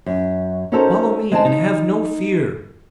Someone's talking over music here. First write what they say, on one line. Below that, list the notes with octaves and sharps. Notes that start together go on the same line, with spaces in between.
"Follow me and have no fear."
F#2
C#4 D#4 F#4 A4 A#4 C5
G#3 C4 D#4 D#5 G#5 A5
D#4